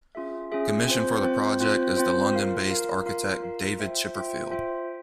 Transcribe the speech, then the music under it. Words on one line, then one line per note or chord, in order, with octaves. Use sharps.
Commissioned for the project is the London-based architect David Chipperfield.
C#4 F4 G#4 E5
C#4 F4 G#4 E5
C4 F4 C5
C4 F4 C5
C4 F4 C5
C4 F4 C5
F4 A#4 F5
F4 A#4 F5
F4 A#4 F5
F4 A#4 F5
F4 C5 E5 G5
F4 C5 E5 G5
F4 C5 E5 G5